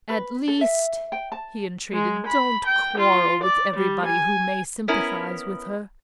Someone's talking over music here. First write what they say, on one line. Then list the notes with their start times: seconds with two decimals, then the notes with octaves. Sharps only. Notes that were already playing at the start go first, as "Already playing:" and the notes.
At least," he entreated, "don't quarrel with everybody who may sympathize with her.
0.10 B4
0.48 A4
0.61 E5
1.12 G5
1.32 A5
1.93 G#3
2.27 B5
2.66 G5
2.98 F4
3.43 D5
3.76 G3
4.06 G#5
4.88 B3 C#4 E4 A#4